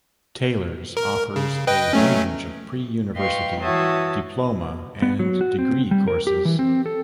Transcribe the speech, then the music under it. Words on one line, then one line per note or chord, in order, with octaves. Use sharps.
Taylor's offers a range of pre-university, diploma and degree courses.
A#4
C#3
B4 D#5 G5
F#3 A3 C#4
B4 D#5 F5 G5 C6 C#6
E3 F#4 C#5 E5 A5 D#6
B3
F#3
F#4
C4
G3
A#4
G4
E3
C4
A4